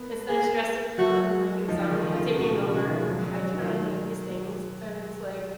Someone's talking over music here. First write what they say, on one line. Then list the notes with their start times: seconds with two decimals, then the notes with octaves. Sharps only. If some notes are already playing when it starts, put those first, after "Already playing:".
Instead of stressing out and, like, insomnia taking over, I turn on one of these things, and it's like
Already playing: A#3 B3
0.29 A#3 G#4
0.98 F#3 F#4
1.68 F3 D#4
1.91 D#3 D#4
2.14 C#3 F4
2.38 B2 F#4
2.55 C#3
2.72 D#3 F#4
2.91 F3
3.01 G#3
3.08 F#3
3.24 F#3
3.47 C#4
3.54 D#4
3.59 D#3 F4